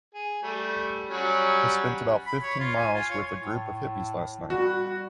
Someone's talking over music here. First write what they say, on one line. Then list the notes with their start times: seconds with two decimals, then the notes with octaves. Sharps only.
I spent about fifteen miles with a group of hippies last night.
0.14 G#4
0.43 G3 A3
1.10 F#3 G3 C#4
2.26 B5
2.43 C#5
2.60 F4
2.76 G#5
2.94 F4
3.10 C#5
3.39 A2
4.50 G3 F#4